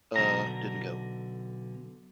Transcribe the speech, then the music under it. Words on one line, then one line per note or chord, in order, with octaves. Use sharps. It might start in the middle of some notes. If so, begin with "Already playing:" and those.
"Uh, didn't go."
B1 E2 D3 A#5